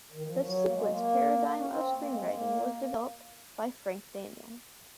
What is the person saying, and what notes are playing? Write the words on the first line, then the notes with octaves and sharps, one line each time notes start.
The sequence paradigm of screenwriting was developed by Frank Daniel.
D#3
F3
F#3
A#3
G#3
A#3
C#4
C4
A#3
G#3
A#3